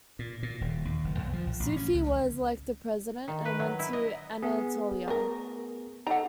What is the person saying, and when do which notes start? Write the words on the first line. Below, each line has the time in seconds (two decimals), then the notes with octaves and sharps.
Suphi was elected President and went to Anatolia.
0.19 A#2
0.43 A#2
0.61 D#1
0.85 D#2
1.04 F#1
1.19 B1
1.33 F3
1.47 A#1
1.60 A1
1.76 C#4
1.94 C#2
3.28 D#3
3.45 B4
3.59 F#3
3.79 E4
3.93 D#5
4.43 B3 G#4
5.08 A3 A#4
6.07 D#4 A4 F#5 A#5